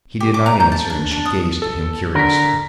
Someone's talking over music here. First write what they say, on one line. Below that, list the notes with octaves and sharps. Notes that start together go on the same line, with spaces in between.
He did not answer, and she gazed at him curiously.
G4
D6
A#5
G6
A5
D4
D4
D#6
A4
D3 A#4 B6